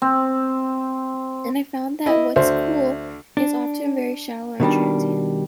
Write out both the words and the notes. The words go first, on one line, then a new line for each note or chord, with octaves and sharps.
And I found that what's 'cool' is often very shallow and transient.
C4
E4 D#5
D2 C5 E5
D4
B2 D#3 G3 D4